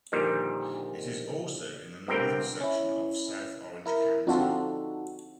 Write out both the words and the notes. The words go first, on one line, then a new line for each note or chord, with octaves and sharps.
It is also in the northern section of South Orange County.
A#1 A#2 D3 D#3 G3
G1 G2 D3 C4 A#4 G5
C#4 E4
E4 A#4
C4 D4 D#4 F4 F#4 A4